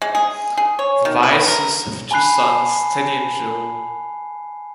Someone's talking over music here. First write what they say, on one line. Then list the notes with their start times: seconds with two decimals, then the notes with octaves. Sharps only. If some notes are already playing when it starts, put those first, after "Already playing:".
The Weisses have two sons, Teddy and Joel.
0.02 G#3
0.15 G#4
0.57 G#4
0.79 C#5
1.05 D#3
1.23 B4
1.48 A#4
2.11 G#5 A5 B5 F#6 C7